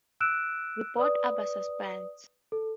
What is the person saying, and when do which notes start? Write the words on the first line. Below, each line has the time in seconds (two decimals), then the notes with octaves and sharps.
We both abhor suspense.
0.20 E6 F#6 D7 E7
0.97 B4 D5 D#6
2.52 A4